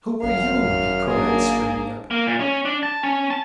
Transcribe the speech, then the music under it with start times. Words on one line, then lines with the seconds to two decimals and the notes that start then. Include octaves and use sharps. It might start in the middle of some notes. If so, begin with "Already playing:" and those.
"Who are you?" he cried, springing up.
0.23 G#1 F#2 F5
1.07 A#3 D4 G#4
2.11 A#3
2.27 A#2
2.40 C#4
2.65 D4
2.83 A5
3.03 C#4
3.31 A5